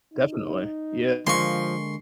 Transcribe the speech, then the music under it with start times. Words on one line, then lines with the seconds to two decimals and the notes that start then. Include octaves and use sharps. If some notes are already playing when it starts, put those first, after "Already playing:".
Definitely. Yeah,
0.13 D#4
1.27 D3 F3 G#3 A#3 C6 C#6